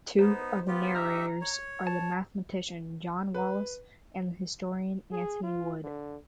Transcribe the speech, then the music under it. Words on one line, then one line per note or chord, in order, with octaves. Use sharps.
Two of the narrators are the mathematician John Wallis and the historian Anthony Wood.
B3 D#4 C5
B3 F4 G4
D#4 G4 E5 A#5 F6
C#5
A5
B4
G#4
F4
D3